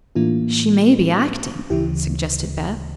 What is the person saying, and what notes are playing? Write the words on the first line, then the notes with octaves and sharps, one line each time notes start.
"She may be acting," suggested Beth.
A2 E3 A#3 D4 F4
D2 C#3 E3 E4 G4